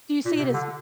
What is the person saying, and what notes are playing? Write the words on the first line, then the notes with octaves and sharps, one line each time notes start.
Do you see it as t
A#2
C3
D3